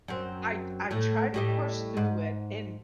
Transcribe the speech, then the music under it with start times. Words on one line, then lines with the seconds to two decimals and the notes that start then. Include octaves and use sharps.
I I tried to push through it, and
0.08 F#2 C4
0.91 A2 A3
1.34 A2 G3 D#5
1.97 G#2